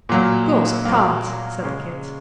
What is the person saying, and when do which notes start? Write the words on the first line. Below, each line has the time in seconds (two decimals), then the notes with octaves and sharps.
"Girls can't," said Kit.
0.09 A#2 F#3 A#3
0.85 A#2 F#3 A#3
1.63 C#3 G#3 C#4